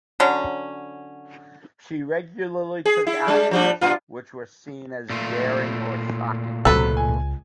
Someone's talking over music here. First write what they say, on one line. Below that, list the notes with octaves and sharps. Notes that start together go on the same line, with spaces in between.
She regularly took actions which were seen as daring or shocking.
D3 F#3 C#4
G#4
E4
G3 G#3 D4
F3 G3 D4
G2 A#2 F4
A#2 A3 F4
C#2 C3 F#3 A4 B4
G#5